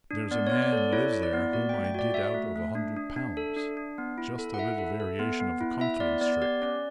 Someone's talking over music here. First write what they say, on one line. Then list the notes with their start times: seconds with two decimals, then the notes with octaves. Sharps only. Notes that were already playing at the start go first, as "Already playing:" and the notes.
There's a man lives there whom I did out of a hundred pounds-- just a little variation of the confidence trick.
0.11 D4
0.31 B3 D5
0.47 C#5
0.52 B3
0.62 D5
0.72 A4 D5
0.92 E4 C#5
1.13 E4
1.23 D5
1.33 B3
1.53 F#4 D5
1.69 A3 G5
1.85 G5
1.94 F#4 D5
2.14 F#4 E5
2.34 A3
2.56 A3
2.75 D4
2.96 D4
3.16 D4
3.37 A4
3.57 D4
3.77 D4
3.98 B3
4.18 E4
4.38 A4
4.54 F#5
4.58 E4 E5
4.78 A4
5.00 A4
5.19 B3
5.40 B3
5.61 E4
5.80 E4 E5
6.00 B3 D5
6.21 B3 D5
6.42 G4 D5
6.62 C#4 D5